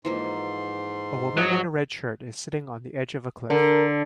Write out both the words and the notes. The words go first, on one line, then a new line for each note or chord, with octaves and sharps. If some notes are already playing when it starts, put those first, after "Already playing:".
A woman in a red shirt is sitting on the edge of a cliff.
G#2 E3 F3 A#3 C6
F#3 D#5 E5
D3 A#4